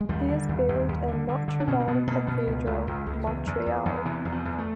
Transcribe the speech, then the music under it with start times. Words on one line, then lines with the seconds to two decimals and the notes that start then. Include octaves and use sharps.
He is buried in Notre Dame Cathedral, Montreal.
0.01 G#3
0.09 D#2 G3
0.28 D3
0.49 D#2
0.69 D#2
0.89 D#2
1.08 D3
1.29 D3
1.48 D3
1.60 D4
1.68 B2 C#4
1.80 C4
1.87 B2 B3
2.07 B2 A#3
2.27 B2 B3
2.47 C#2
2.67 C#2
2.87 C#2
3.06 C#2
3.26 E2
3.47 E2
3.66 E2
3.86 E2
4.05 C3 E3
4.25 E2
4.32 F3
4.45 E2
4.59 A3